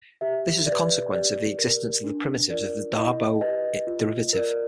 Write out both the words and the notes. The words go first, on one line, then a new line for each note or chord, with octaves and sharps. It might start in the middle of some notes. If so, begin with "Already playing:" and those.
This is a consequence of the existence of primitives of the Darboux derivative.
G4 E5
D5
B4
G4 D5
A#4 D5
D4
F4 A#4 D5
E4 D#5
G4 B4 D#5
F4 D#5
A#4 D5